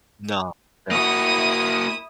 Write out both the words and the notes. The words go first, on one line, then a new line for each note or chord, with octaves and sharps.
No, no,
A#3 E4 F#4 D#6